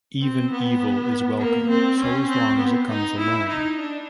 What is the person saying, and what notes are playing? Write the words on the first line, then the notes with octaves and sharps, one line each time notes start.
Even evil is welcome so as long as it comes alone.
C4
B3
A#3
C4
C#4
C4
B3
D#4
E4
D#4
D4